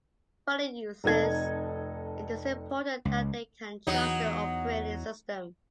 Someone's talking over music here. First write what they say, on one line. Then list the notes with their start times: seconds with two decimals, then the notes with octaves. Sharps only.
For the users, it is important that they can trust their operating system.
1.04 F1 D#4 A4 G#6
3.05 C#2
3.87 E2 F#3 D#4